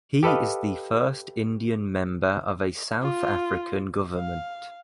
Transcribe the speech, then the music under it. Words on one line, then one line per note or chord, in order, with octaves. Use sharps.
He is the first Indian member of a South African government.
G4 A4 B4 D#5 F5
F4
F5